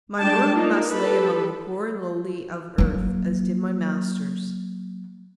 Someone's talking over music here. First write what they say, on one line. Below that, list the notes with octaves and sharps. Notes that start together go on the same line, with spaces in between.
My work must lie among the poor and lowly of earth as did my Master's.
G3 G#3 D4 G5 A5
A#3 D4 D#4 F4
G4 A4 B4
F#3 A#3